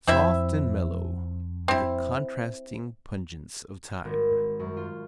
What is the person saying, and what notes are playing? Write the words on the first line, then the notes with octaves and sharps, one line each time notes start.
Soft and mellow, with the contrasting pungence of thyme.
F2 C4 E4 E5
C4 E4
G#1
F#2
F4